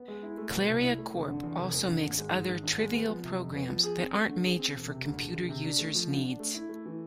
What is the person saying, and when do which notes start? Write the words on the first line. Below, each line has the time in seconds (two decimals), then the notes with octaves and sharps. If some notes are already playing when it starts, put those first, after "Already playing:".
Claria Corp. also makes other trivial programs that aren't major for computer users' needs.
Already playing: B3
0.08 G#3
0.23 E4
0.37 A3
0.53 B2
0.67 C2
0.83 E4
0.98 A3
1.13 F1
1.28 D3
1.43 E2
1.59 F1
1.74 F1
1.88 D3
2.03 G#1
2.18 G#3
2.33 G#2
2.49 G#1
2.63 G#1
2.78 G#3
2.93 B3
3.09 F3
3.24 C3
3.39 F2
3.54 B3
3.69 F3
3.83 G#4
3.98 C4
4.14 A3
4.28 D3
4.44 G#4
4.59 C4
4.74 E1
4.89 C3
5.05 D2
5.19 E1
5.35 E1
5.49 C3
5.64 D4
5.79 A3
5.95 F3
6.10 D3
6.25 D4
6.40 A3
6.54 E4
6.69 A3
6.86 E3